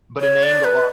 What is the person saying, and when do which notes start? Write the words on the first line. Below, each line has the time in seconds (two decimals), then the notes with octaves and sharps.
but an angle of
0.21 C#5
0.43 D5
0.64 B4